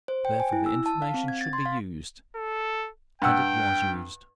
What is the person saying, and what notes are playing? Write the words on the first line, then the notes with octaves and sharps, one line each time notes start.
Therefore the information should be used--and it was used.
C5
G5
G#5
E4
E6
A5
F5
C4
G#6
A6
C6
F5
A4
G2 F#5 G5 E6